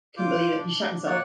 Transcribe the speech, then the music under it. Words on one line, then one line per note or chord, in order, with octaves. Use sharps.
I couldn't believe it, he shat himself!
F4 D6 G6
D4
A#3 C#5 D5 F#5 F#6